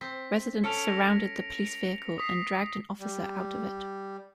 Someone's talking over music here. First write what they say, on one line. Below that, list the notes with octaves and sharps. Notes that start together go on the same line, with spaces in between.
Residents surrounded the police vehicle and dragged an officer out of it.
C4 B6
C#4 A4 C#7 D7 F7
A#6
D#6 B6 C7
G3